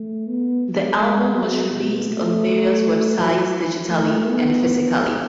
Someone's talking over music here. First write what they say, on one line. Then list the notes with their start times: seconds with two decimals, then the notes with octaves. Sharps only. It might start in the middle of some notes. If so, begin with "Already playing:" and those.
The album was released on various websites digitally and physically.
Already playing: A3
0.28 B3
1.00 G#3
1.36 F#3
1.72 B2
2.09 A3
3.18 F#3
3.91 A3
4.27 B3